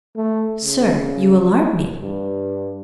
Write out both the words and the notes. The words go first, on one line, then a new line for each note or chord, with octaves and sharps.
"Sir, you alarm me."
A3
C#3
G2